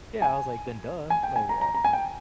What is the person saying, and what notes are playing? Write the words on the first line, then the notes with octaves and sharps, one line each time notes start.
Yeah. I was like, "Then duh. Like, uh,
G#5
G#5
G5
G#5
A#5
A#5
A#5
G#5
G5